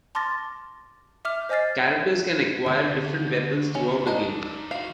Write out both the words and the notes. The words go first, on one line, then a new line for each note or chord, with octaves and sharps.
Characters can acquire different weapons throughout the game.
A5 C6 D6 F6 A6 A#6
E5 D6 F6 F7
C5 D#5 G#5 F6 A6 C7
D2 D4
C#4 D#4 C#5
D4 A#4 D#5
E4 F#4 F5